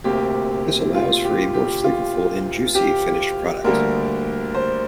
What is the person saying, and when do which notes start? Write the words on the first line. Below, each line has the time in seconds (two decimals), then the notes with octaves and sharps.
This allows for a more flavorful and juicy finished product.
0.04 D2 C3 A#3 G4
0.94 F4
1.24 G4
1.54 G4
1.84 F4
2.75 G4
3.64 D2 D3 G3 A#3 A#4
4.54 C5